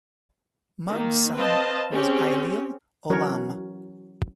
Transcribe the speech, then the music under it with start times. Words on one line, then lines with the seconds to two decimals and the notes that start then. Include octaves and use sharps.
Mug's son was Ailill Ollamh.
0.90 D#3 A#3
1.36 C4 B4 C5 D#5 F5 A5
1.92 C4 C#4 G4 G#4
3.10 E3 F#3 C#4 F#4 A#4 C#5